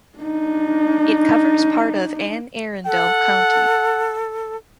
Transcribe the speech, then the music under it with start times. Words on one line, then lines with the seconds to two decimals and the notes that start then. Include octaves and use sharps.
It covers part of Anne Arundel County.
0.18 D4 D#4
2.86 A4 F#5